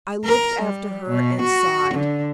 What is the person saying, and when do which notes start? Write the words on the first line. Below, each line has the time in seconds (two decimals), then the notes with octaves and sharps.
I looked after her and sighed.
0.25 A#4
0.62 G3
1.10 B2
1.42 F#4
1.94 D3